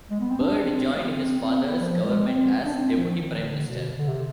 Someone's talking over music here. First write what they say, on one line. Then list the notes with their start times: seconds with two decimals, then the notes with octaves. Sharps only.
Bird joined his father's government as Deputy Prime Minister.
0.11 G#3
0.21 B3
0.30 C4
0.40 D4
0.64 C4
0.87 B3
0.95 G#3
1.02 B3
1.10 C4
1.34 C4
1.57 B3
1.80 F3
2.04 G#3
2.27 C4
2.66 D4
2.74 C4
2.98 F3
3.21 D#3
3.44 D3
3.68 B2
3.98 D3
4.08 C3